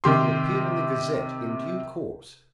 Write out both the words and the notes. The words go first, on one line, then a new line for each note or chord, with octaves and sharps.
It will appear in 'The Gazette' in due course.
C3 D#3 G4 C6